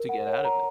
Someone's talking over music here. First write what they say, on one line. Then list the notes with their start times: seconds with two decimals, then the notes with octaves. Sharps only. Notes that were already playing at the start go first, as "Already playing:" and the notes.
To get out of it.
Already playing: A#4
0.09 F#5
0.27 C#5
0.45 A#5